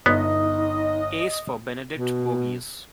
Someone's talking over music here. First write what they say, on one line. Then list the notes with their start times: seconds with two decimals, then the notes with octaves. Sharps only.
Ace for Benedict Bogeaus.
0.06 G1 B3 D#4 D#5
1.97 B2